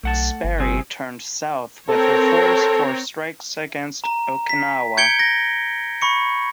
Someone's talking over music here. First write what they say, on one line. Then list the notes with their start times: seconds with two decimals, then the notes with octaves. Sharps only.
"Sperry" turned south with her force for strikes against Okinawa.
0.03 B1 A3 F#5 A5
0.44 G1
0.59 C2 C4 G#4
1.89 C4 A4 A#4 C#5
4.04 A#5
4.49 B6
4.97 G6 G#6 C#7 D7 G7
5.19 A#6 C#7
6.02 B5 C#6 C#7